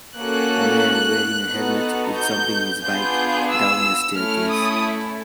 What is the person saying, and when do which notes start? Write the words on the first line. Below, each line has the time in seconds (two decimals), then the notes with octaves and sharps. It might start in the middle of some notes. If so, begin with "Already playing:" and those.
A man wearing a helmet is jumping his bike down a staircase.
0.17 A#3 C#4 F#4 A4 F#6
1.50 B3 D#4 F#4 A4
2.17 G6
2.82 B3 D4 F4 G#4 G6
3.49 E6
4.15 A3 C#4 E4 A4 F6
4.48 D#6